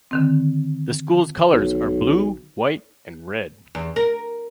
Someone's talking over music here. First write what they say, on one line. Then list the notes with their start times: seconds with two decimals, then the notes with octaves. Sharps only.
The school colors are blue, white, and red.
0.11 D3 D#3 C4
1.53 B1
3.75 E2
3.96 A#4